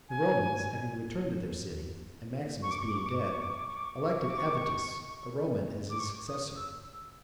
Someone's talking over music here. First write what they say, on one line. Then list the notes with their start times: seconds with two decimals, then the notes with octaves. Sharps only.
The Romans, having returned to their city, and Maximus being dead, elected Avitus, a Roman, as his successor.
0.09 G#5
2.62 C#6
2.71 D6
2.80 C#6
2.88 D6
2.97 C#6
3.06 D6
3.15 C#6
3.24 D6
3.32 C#6
3.41 D6
3.50 C#6
3.59 D6
3.68 C#6
3.76 D6
3.85 C#6
3.93 D6
4.02 C#6
4.11 D6
4.20 C#6
4.29 D6
4.37 C#6
4.46 D6
4.55 C#6
5.90 D6
5.99 C#6
6.28 D#6
6.56 E6
6.84 E6